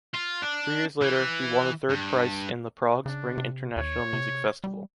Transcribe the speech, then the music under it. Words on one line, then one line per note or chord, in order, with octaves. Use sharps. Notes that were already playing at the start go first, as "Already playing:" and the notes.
Three years later, he won the third price in the Prague Spring International Music Festival.
F4
D4
E3
G2
C#3 D4
C3
D#2 C#5
C3
G3